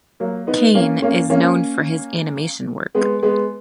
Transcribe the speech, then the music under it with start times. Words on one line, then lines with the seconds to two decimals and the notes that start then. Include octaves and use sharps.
Kane is known for his animation work.
0.20 F#3 A#3
0.47 B3 D#4
0.75 A#3 C#4
1.02 A#3 C#4
1.30 A#3 C#4
2.95 G#3 B3
3.23 G#3 B3